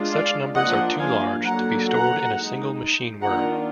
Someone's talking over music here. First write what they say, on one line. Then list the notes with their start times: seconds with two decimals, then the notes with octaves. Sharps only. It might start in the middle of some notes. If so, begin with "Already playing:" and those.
Such numbers are too large to be stored in a single machine word.
Already playing: G#3 D4 F4
0.11 D5 F5
0.55 F3 A#3 D4 F4 D#5 F#5
0.99 F5 G#5
1.44 D3 F#3 A#3 F#5 A#5
1.88 F#5 A#5
2.32 G#3 D#4
3.21 D#3 A#3 D4 F4 F#5 A#5